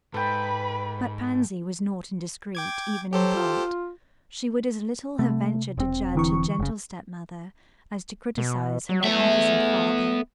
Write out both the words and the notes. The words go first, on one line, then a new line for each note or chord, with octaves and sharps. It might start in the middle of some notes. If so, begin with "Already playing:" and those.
But Pansy was not indiscreet even in thought; she would as little have ventured to judge her gentle stepmother as to criticise her magnificent father.
G#2 A4 B4 G5 B5
G5 D6 G#6
F#3 G4 A4 C5
F4
C3 A3
E1 C4
D3 E3 C#6
F#1 C#3
B2
F#3
A3 B3 E5